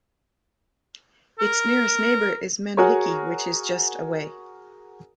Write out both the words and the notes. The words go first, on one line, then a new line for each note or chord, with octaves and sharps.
Its nearest neighbour is Manihiki which is just away.
A#4
F#4 G#4 A#4 C#5